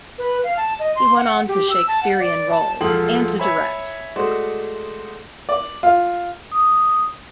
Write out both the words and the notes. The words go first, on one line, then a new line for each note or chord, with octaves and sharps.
He went on to Shakespearean roles, and to direct.
B4
F5
A5
D#5
C6
F#5
G4
E6
A5
F#5
D5
A5
E1 F3 F4 A4 G5 F#7
C#5 E5 G#5 B5
G#3 A3 F#4 C5 D5
D5
F4
D#6